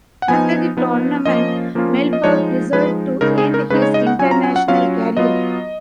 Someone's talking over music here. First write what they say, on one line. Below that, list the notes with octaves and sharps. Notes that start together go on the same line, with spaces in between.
After the tournament, Mellberg decided to end his international career.
F#5
F3 B3 D#4 G#5
F3 B3 D#4
F3 A#3 C#4 F4 D#5
F3 A#3 C#4 F4
D#5
F3 G#3 D#4 C#5
F3 G#3 D#4 B4
C#3 G#3 D#4 A#4
G#4
A#4
C#3 G#3 D#4 B4
C#5
D#5
F#5
F#3 C#4 F4 G#5
A#5
G#5
F#5
F#3 C#4 F4 F5
F#3 B3 F4 D#5